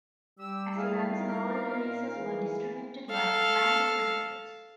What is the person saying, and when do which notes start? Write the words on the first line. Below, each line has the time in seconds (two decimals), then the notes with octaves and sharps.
Asylum's early releases were distributed by Atlantic Records.
0.39 G3 G4 E6
0.77 G#3 A3 E4 G#4 F5
1.15 D#4 F4 A#4
1.84 A#2
2.17 E3 G#4
3.09 A4 F5